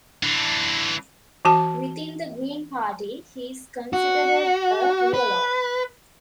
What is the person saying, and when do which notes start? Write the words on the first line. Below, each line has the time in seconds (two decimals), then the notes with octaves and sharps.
Within the Green Party, he is considered a Realo.
0.23 E3 D4
1.45 E3 F#4 A5
3.93 F#4
5.14 B4